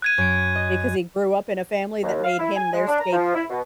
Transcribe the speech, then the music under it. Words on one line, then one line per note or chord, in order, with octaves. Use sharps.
because he grew up in a family that made him their scapegoat.
F#6 G#6 D#7
F#2 D7
D#5
D#2
F5
E4
G#5
G#3
D4
A#5
F3
E4
B2